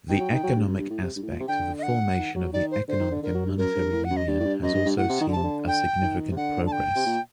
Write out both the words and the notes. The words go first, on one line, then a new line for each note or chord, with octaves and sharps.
The economic aspect of the formation of the economic and monetary union has also seen a significant progress.
D#3 G5
F#3
D#3
F#3
G2
F#2
G2
A2
C3
G2
A2
A#2
C3
D3 G5
D#5
F#5
D#3
F#3
D#3 D5
C5
D3 C5
D#3
D3
D3 A#4
F#3
G2
F#2 A#4
G2
A2
F#5
F#2
D#5
G2 D5
A2
G2
F#2 D#5
G2
G2
A2 F#5
C3
D#3
D3
C3 A5
D3
G5
D#3
C3
D3 F#5
A5
G5
C3
A#2